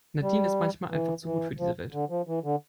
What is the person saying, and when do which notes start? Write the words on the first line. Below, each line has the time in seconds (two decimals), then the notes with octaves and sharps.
Nadine ist manchmal einfach zu gut für die Welt.
0.22 G3
0.90 E3
1.24 E3
1.59 F3
1.93 D3
2.10 F3
2.27 E3
2.44 D3